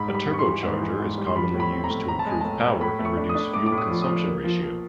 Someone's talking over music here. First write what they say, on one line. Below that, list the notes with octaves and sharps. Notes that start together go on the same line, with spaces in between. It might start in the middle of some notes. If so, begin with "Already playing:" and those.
A turbocharger is commonly used to improve power and reduce fuel consumption ratio.
Already playing: G#2 B5
G3
B5
G#2
C#6
C6
E3
G#2
E3
G#2
G3
C6
F3 B5
A2
B5
C4
A#5
A2
A2 A#5
A5
G#3 G#5
A2 A5
A2
A2 B5
A3
C#6
D4
D#6
D4
A3 D6
D6
A2
D#6
F3
D#6
F3
A#3
F3
F3